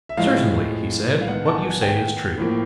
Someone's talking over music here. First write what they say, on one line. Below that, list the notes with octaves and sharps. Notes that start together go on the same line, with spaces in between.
Certainly, he said, what you say is true.
E5
A2 F3 G#3 F5
F5
D#3 G#3 B3 F#5
A5
G#5
G5
A2 F3 A#3